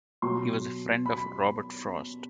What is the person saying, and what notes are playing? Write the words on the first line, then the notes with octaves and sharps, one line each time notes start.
He was a friend of Robert Frost.
B2 F#3 C6
B5